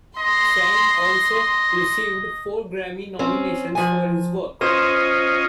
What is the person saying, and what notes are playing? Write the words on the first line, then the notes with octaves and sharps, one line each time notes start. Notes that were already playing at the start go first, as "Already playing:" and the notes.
Shand also received four Grammy nominations for his work.
D#5 C6
C4 C#4
F3 G#5
C#4 F4 C5 D#5